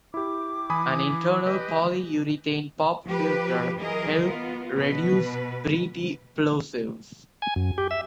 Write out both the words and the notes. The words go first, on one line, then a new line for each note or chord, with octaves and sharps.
An internal polyurethane pop filter helped reduce breathy plosives.
E4 G4 D6
E3 G#5 B5 D#6
G4 B4 D#5
F3 G4 B4
E3 F#3 G#4 A#4 D#5
B3 F4
B2 B4
G#5
F#2
G4
E5